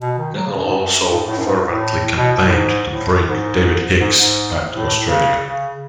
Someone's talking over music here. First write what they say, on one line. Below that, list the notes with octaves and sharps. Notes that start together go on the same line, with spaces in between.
Nettle also fervently campaigned to bring David Hicks back to Australia.
B2
D#3
F#3
C#3
F#2
G#2
F#2
G#2
A2
F#2
G#2
A2
B2
B2
A2
G#2
A2
G#2
G#2
G#2
A2
C#3
C#3